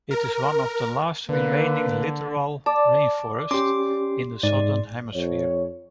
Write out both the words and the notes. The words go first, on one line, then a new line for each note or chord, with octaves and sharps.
It is one of the last remaining littoral rainforests in the Southern Hemisphere.
A#4
D3 A#3 B4
D5 A5
C#4 G4 C6 D6
G#2 D5
F2 C#5